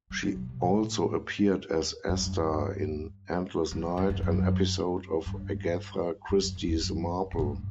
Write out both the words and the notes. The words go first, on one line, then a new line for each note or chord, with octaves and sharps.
She also appeared as Esther in "Endless Night", an episode of "Agatha Christie's Marple".
G3
F#3
C3
B2
A2
F#2
G2
F#2
F#2
F#2
F#2
G2
F#2
F#2
F#2
E2
F#2
A2
G2